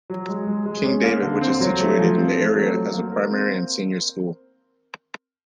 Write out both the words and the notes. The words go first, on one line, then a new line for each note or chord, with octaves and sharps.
King David which is situated in the area has a primary and senior school.
F#3
G#3
G#3
G#3
C#4
A#3
D3
C4
F#3
A3
F3
C4
A3
F#3
F#3
A#3
A#4
C4